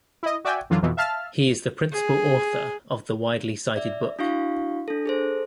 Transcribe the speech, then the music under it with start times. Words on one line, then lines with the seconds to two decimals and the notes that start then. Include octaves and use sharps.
He is the principal author of the widely cited book.
0.23 E4 D#5
0.45 F#4 D5 E5 G5 G#5
0.70 F#2 D3 E3 F#3 F4
0.82 F2 B2 E3
0.97 E5 F5 A5 F6
1.92 G#4
3.76 D5 E5
4.19 D4 E4 F#4 F5 C#6
4.88 D4 A4
5.06 G#4 A4 C5